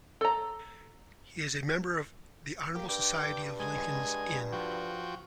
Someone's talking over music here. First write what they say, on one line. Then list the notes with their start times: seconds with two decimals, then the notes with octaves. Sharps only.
He is a member of the Honourable Society of Lincoln's Inn.
0.21 A4 A#5
2.75 A#3 G4
2.89 G2 G5 D6
3.60 G#3 G#5
4.52 F3 F#4 G5